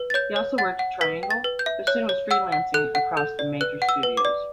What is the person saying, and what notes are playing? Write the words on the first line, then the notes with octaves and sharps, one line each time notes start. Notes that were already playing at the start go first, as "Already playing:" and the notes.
He also worked at Triangle but soon was freelancing across the major studios.
Already playing: B4
A6
C#5 G6
C#5
F#5 A6
F#5
B4 B6
G5
A6
B4
G6
E5
C#5 F#6
C#5
F#5 E6
F#5
A4 F#6
F#5
A4 G6
D5
B4 F#6
F#5
E6
B4
D6
D5